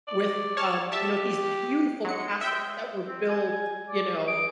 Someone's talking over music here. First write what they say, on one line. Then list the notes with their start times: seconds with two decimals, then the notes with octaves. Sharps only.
with, um, you know, these beautiful castles that were built, you know,
0.08 D5
0.57 C#5 A5 F6
0.92 G4 E5 A5
2.05 F#3 G#3 C#7
2.41 E5 G5 G6
3.07 C4
3.29 G#5
3.89 D5
4.28 G#4 D7